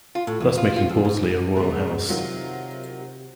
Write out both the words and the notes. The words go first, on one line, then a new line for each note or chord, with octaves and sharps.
Thus making Bordesley a royal house.
F4
A2
E2
F4
F4
E2
G#2
B2 D3 G#3
C3 D#3 F#3 F4